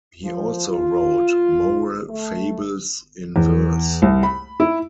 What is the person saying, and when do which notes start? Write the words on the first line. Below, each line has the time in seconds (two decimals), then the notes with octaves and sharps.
He also wrote "Moral Fables in Verse".
0.23 F3
0.67 F4
2.10 A3
3.36 E2
4.02 C2
4.23 B5
4.60 E4